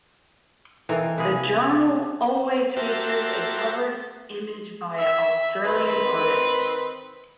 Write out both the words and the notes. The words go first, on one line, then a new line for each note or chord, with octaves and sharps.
The journal always features a cover image by an Australian artist.
E3 C4 D#4 A4 A#4 F5
C3 E3 A#3 G#4
F#4 G4 A#4 C5 E5 A5
E5
D#3 C4 B4